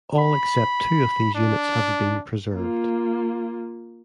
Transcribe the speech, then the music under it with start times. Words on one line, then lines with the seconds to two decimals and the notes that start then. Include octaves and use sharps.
All except two of these units have been preserved.
0.19 B5
1.35 D4
2.55 A#3 F4